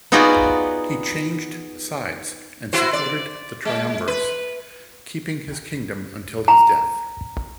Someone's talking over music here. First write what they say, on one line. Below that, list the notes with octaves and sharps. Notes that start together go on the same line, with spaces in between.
He changed sides and supported the triumvirs, keeping his kingdom until his death.
B3 D#4 F4 F#4 G#4 D5
E4 F#4 C5
D5
G#3
B4
A#5